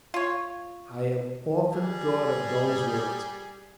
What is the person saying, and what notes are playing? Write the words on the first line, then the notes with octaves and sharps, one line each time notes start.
I have often thought of those words.
F4 C#5
G3 G#4